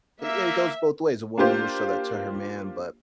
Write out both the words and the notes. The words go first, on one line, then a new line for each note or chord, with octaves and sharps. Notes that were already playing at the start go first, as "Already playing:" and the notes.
i i it goes both ways, a woman will show that to her man, but,
A#3 E5
A#3 D4 F4 G4 C5